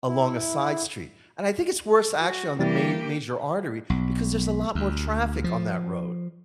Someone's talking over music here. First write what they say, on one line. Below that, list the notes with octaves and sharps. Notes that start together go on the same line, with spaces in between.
along a side street. And I think it's worse, actually, on the ma major artery because there's a lot more traffic on that road.
E4
F#4
E3 G3 A#3 G4 A6
B1
D2
F3